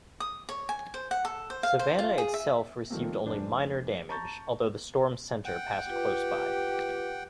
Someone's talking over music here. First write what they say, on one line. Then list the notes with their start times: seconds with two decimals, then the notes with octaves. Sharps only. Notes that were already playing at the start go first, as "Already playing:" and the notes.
Savannah itself received only minor damage, although the storm's center passed close by.
0.20 D#6
0.49 C#5
0.69 G#5
0.94 C5
1.11 F#5
1.25 A4
1.50 C5
1.63 F5
1.79 C5
1.99 F4
2.18 G#4
2.34 E5
2.90 D#3 F3 G3 A3 A#3 C4
3.26 F1 D4 C5
4.09 A5 A#5 C#6 G6 A6
5.45 F#5 G5
5.89 F4 G4 B4